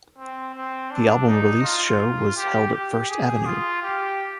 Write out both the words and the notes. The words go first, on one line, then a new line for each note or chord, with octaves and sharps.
The album release show was held at First Avenue.
C4
C4
D4
D#4
F4
G4
G4
G#4
F4
G4